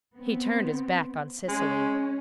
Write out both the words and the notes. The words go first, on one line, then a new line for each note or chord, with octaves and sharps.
He turned his back on Cecily.
B3 C4
G#3 C#4